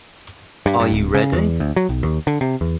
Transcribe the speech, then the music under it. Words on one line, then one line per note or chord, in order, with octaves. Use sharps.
Are you ready?
G2
G2
D1
C#3
E2
D2
F#3
B1
D#2
D3
C3
E2